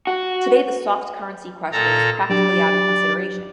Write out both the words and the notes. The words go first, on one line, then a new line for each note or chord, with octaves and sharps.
Today the soft currency question is practically out of consideration.
F#4
A#2 A4 A#5
F#3 D4 G4 D5